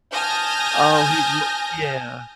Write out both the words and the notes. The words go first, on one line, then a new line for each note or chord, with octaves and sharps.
Oh, he's m yeah.
G#5 A5 D#6 F6 G6 A#6